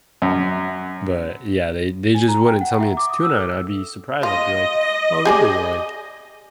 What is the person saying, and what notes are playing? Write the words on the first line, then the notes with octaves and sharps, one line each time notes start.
but yeah, they they just wouldn't tell me it's tuna, and I'd be surprised, I'd be like, "Oh, really?" Like
F#2
G#5
A#5
G5
F#5
E5
D6
D#6
E6
A4
F4 D#5
G4 G#4 D5